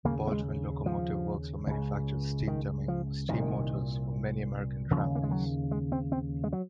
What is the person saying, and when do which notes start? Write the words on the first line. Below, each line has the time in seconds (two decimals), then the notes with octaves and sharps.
Baldwin Locomotive Works manufactured Steam Dummy or Steam Motors for many American tramways.
0.05 D#2 C#3 A#3
0.27 A#3
0.32 G#3
0.86 F3
1.67 C#2 C#3
2.47 D#3
2.88 F3
3.29 C2 A#2 D#3
4.90 D#2 C#3 F3
5.15 A#3
5.23 G#3
5.31 F#3
5.71 G#3
5.92 C4
6.12 C4
6.44 G#3
6.53 F#3